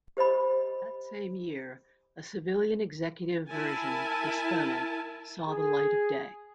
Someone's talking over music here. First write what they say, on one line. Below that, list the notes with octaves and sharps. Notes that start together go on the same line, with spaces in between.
That same year, a civilian executive version, Disponent, saw the light of day.
G4 C5 D#5 B5
E4 A#4 G#5 A5
G#4